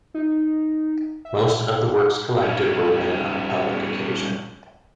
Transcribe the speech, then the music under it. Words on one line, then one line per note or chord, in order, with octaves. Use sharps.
Most of the works collected were read on a public occasion.
D#4
E5
G3 C#4